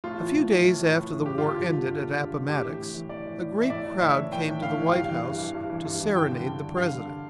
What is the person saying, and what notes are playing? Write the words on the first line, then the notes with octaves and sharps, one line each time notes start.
A few days after the war ended at Appomattox, a great crowd came to the White House to serenade the President.
A2 F4
E3
A2
E3
A2
E3
A2
E3
G2 G4
D3 F4
G4
G2
D3
G2
D3
G2
D3
A2 G4
E3
A2
E3
A2 D5
E3
A2
E3
E5
A2 D5
E3
A2 E5
E3
A2 G5
E3
A2 F5
E3
G5
G2 F5
E3
G2
E3
G2
E3
G2
E3
G2 G5
D3
G2
D3
G2 F5
D3